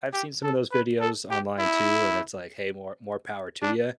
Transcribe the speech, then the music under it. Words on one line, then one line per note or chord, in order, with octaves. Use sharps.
I've seen some of those videos online too, and, it's like, "Hey, more more power to you."
G4
A4
B4
A4
G4
E4
D4